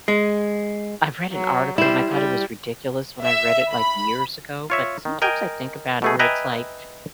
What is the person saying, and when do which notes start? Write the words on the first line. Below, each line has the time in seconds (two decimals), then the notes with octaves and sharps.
I've read an article and I thought it was ridiculous when I read it, like, years ago, but sometimes I think about it where it's like,
0.08 G#3
1.32 F#3
1.78 G3 E4 C5
2.10 G3
3.22 E5
3.72 B5
4.70 F4 C#5 E5
5.05 D#3
5.22 A#4 D#5 G5 G#5
6.02 B2 A3 G#4
6.19 B4 D#5 E5 G5 G#5 A#5